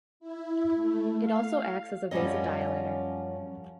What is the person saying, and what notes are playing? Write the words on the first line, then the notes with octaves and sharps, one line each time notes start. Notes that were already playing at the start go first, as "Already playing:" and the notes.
It also acts as a vasodilator.
E4
A3
F5
F#2 F3 G3 C#4 D#5